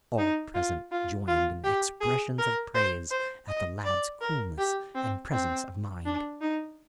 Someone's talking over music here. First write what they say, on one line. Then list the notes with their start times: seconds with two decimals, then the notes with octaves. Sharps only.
All present joined in expressions of praise at the lad's coolness and presence of mind.
0.18 D#4
0.55 F4
0.91 F4
1.28 F4
1.64 G4
2.01 G#4
2.38 A#4
2.75 C5
3.11 C5
3.48 D#5
3.85 D5
4.21 A#4
4.58 G4
4.95 C4
5.32 C4
6.05 D4
6.41 D#4